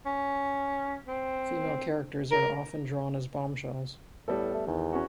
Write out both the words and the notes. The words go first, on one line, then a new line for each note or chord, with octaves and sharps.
Female characters are often drawn as bombshells.
C#4
C4
A#4
A2 G3 B3 A4
A3
E2 D#3
C#4 F#4